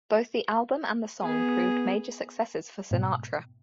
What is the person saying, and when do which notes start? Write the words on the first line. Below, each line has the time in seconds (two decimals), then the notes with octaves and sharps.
Both the album and the song proved major successes for Sinatra.
1.22 B3 G#4
2.91 G#2 B2